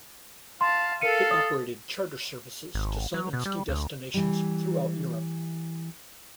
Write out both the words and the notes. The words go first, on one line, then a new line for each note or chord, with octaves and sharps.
It operated charter services to sun and ski destinations throughout Europe.
F5 A5 C6
A4 A#4 F5 C#7 D#7
D#6 A6
G#1
F#3
B2
G3
D2
E3 G3